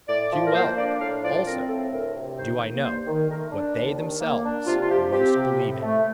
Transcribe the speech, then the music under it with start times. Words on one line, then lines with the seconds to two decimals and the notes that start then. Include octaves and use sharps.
Too well, also, do I know what they themselves most believe in.
0.08 A2 D5
0.31 F3
0.46 A#4
0.54 A#3 C5
0.77 D4 D5
1.00 A2 F5
1.23 F3 D5
1.46 C4 A#4
1.69 A2 A4
1.92 D2 A#4
2.15 C3
2.38 D#3 C5
2.61 A#3
2.83 G2 C5
3.06 D#3
3.30 A3 A#4
3.52 D4
3.75 D#2
3.98 D#3
4.21 A#3
4.44 D4
4.67 C3 F4
4.81 F4
4.89 F3 G4
5.13 C4 G4
5.36 C3
5.59 A2
5.82 A3